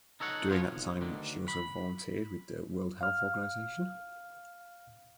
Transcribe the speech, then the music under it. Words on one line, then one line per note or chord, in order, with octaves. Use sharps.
During that time she also volunteered with the World Health Organization.
D#4 A4 C#5 F#5
F2 F3 F4 C#5
B1
D2 D3 D#3
B5
F5 F6